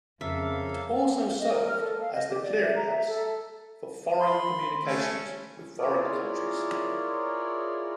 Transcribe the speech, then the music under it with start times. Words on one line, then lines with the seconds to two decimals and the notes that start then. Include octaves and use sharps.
It also served as the "clearinghouse" for foreign communications with foreign countries.
0.21 F2 C#3 A#3 A4 E5 F5
1.40 D#5
1.52 A#4
1.67 F6
1.80 A4
2.01 F5
2.14 D#5
2.30 G4
2.42 D5
2.61 E5
2.76 A#5
2.91 E5
3.08 A4
4.20 B5 C6
4.84 A3 C#4
5.79 E4 F4 G#4 A#4 C#5 D5